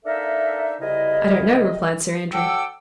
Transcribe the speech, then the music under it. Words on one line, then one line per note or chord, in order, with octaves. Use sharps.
"I don't know," replied Sir Andrew.
A#3 D4 D#4 A4 A#4 E5
C2 F2 C#3 E4 A#4 D#5
F#3 A4 F#5 G5 D6 E6